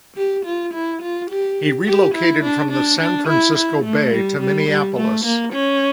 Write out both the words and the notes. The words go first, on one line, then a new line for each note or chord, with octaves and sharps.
He relocated from the San Francisco Bay to Minneapolis.
G4
F4
E4
F4
G4
G4
E4
D4
D4
D4
E4
E4
A3
G3
G3
G3
A3
A#3
C#4